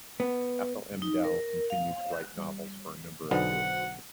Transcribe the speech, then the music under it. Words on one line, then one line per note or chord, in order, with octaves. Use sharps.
Ethel M. Dell continued to write novels for a number of years.
B3
D#4
A#4
F5
G3
B1 D3 B3 D#4 F#4 C5 F#5